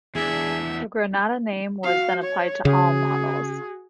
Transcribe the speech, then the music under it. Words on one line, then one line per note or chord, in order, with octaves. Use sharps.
The Granada name was then applied to all models.
E2 D4 G#4 E5
F#4 F5
C#5
C#3 F#4 G#4